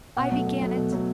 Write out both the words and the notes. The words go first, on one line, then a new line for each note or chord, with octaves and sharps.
I began it!
B2 F#5
F#3 A3
B2
F#3 A3
B2
F#3 A3